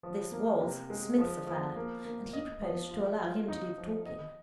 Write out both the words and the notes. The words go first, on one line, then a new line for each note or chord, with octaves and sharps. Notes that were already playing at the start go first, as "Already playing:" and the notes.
This was Psmith's affair, and he proposed to allow him to do the talking.
F3
A#3
C3
G#3
F3
F3
A#3
A#3
D#5
F3
F4
F4
D#4
F3
D#5